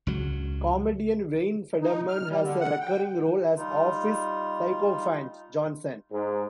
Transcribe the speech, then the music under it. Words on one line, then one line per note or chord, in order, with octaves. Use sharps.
Comedian Wayne Federman has a recurring role as office sycophant, Johnson.
C#2 F#3
D#4
F6
G3
D3
F#5
G5
G3 D#4 F4
G#2